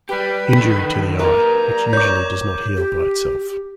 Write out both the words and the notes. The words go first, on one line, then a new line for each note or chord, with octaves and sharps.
Injury to the eye, which usually does not heal by itself.
G3 G4 B4
D3 D#3
A#4 B4 D5 A#5
C#5 D6 G6
G4